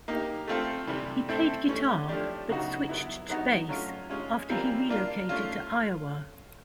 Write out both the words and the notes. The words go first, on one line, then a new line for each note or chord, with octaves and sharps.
He played guitar but switched to bass after he relocated to Iowa.
A#3 D#4 G4
A3 C4 F4 A4
C3 E3 G3
A3 C4 E4 A4
E3 A3 C#4
F3 A3 D4 G4
C#3 F#3 B3 D#4 F#4
F#3 B3 E4
F#3 B3 D#4 F#4
F#3 A3 C#4 F4
G#3 C#4 F4
E3 G3 C4 F4 A#4
A#3 D4 F4
A3 C#4 F4